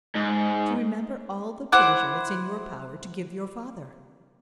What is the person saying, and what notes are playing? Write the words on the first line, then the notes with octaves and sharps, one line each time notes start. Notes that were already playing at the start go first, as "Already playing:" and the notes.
"To remember all the pleasure it's in your power to give your father."
G#2
E4 C5 F#5 D6